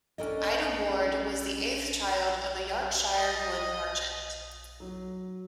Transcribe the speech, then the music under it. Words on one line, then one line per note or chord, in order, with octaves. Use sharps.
Ida Ward was the eighth child of a Yorkshire wool merchant.
C#4 D4 A4 A#4 C#5 D#5
D#5
F#3